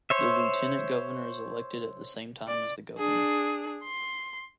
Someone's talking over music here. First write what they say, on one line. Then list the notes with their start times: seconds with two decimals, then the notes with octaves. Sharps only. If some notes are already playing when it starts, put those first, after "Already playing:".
The lieutenant governor is elected at the same time as the governor.
0.10 C5 C#5 E5
2.48 D5
2.99 D4 G#4
3.84 C6